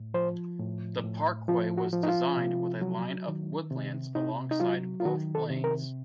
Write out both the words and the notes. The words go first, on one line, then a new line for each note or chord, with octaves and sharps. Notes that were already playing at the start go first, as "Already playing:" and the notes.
The parkway was designed with a line of woodlands alongside both lanes.
Already playing: A2
F3 C5
A2
A2
F3 F4
F#4
F3
D#4
F4
C3
F#3
D#3
C3
C3 D#4
D#4
F#3 F4
F4
D#3 F#4
A4
C3
A#4